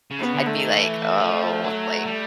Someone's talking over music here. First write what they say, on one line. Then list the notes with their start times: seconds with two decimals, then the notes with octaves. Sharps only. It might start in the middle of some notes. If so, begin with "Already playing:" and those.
I'd be like, "Oh," like,
0.11 C#3
0.19 B3
0.33 D3
0.47 A3
0.54 D#3
0.77 E3
1.20 F3
1.64 F#3
2.06 G3